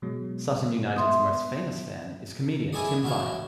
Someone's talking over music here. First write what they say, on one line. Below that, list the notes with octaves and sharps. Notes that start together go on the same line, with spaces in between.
Sutton United's most famous fan is comedian Tim Vine.
B2 F#3 G#3
B3 E5 C6 D#6
C#4 E4 G#4 A4 D5 D#5
A1 F#3 A3 E4 E5 F5